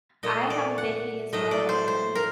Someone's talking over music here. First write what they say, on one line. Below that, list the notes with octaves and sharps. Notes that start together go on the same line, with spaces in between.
I have a baby as well, and
A#2 A3 D#5
D5
F#5
A2 F#3 A3 D#5
D5
C5
C5
A#4